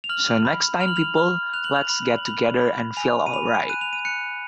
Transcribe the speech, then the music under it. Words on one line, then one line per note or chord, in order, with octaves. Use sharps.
So next time, people, let's get together and feel all right.
F7
F6 F#7
B5
F6 F7
F#7
F7
F6
F#6 F7
F#7
F7
B5 F#7
F#7
B5 F7
B5
G#5 F7
D#7
B5 F7
F#6 D#7
F7
D#7
F#6 C#7